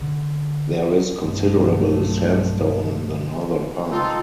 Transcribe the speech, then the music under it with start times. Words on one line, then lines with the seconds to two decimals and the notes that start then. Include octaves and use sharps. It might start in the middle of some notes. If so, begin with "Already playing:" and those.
There is considerable sand-stone in the Northern Part.
0.02 D3
1.17 B1 G2 F3 A3
3.91 C4 D#4 F4 A4